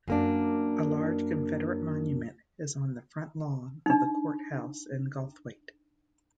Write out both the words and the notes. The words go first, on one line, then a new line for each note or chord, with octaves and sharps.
A large Confederate monument is on the front lawn of the courthouse in Goldthwaite.
F#2 A#3 D4
D4 D#4